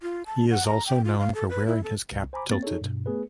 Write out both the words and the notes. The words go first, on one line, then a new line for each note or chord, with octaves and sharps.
He is also known for wearing his cap tilted.
F4
A5
F#5
A#5
G5
F4
F5
A4
B4
E4
A4
C2
C5 G#5 A#5 B5 D6
A#3 C4 A6
D#4 G#4 A4 C#5
G2 B2
A3 B3 G#4 B4